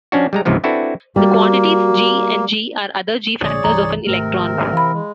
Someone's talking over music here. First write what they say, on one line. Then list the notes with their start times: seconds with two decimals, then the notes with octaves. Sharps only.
The quantities "g" and "g" are other "g"-factors of an electron.
0.12 F3 C#4 D4 F#4
0.33 G3 G#3 A#5
0.45 C#2 G#2 C3 E3 F3 B3
0.64 C4 D4 E4 F#4 A4 B4
1.16 G3 A#3 F#4
3.42 A#1 A#2 D3 G#4 C#5 D5
3.64 C2 G2 E3 A#5
4.07 G#1 C3 A3 C4 A#4
4.73 E3 F5 B5
4.92 G#3